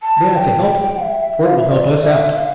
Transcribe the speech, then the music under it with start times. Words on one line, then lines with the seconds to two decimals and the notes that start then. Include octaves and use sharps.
They ought to help you, for it will help us out.
0.02 A5
0.35 G5
1.03 E5
1.45 F5
1.57 E5
1.69 D5
2.02 E5
2.36 F5